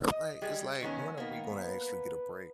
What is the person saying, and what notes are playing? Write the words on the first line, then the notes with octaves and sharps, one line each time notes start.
Like, it's like, when are we gonna actually get a break?
D#5
G3 G#3
D#3 B3 C#4
D#3 A#3 B3
B4